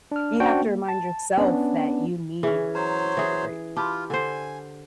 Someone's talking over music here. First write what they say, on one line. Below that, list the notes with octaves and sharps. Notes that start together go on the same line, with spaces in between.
you have to remind yourself that you need to take a break.
D4 F6
C#4 D4 F#4 C5 G5
A#3
A5
B3 C#4 D4
E3 C#4 G#4
F#3 C5 C#5 A#5
E3 G#4
F4 G4 A5 B5 C6
D3 C5 G#5